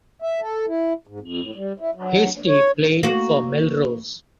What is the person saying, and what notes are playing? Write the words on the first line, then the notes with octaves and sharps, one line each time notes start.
Hastie played for Melrose.
E5
A4
E4
G#2
F2
A2
G3
E4
F#3
C#5
A#3 F#4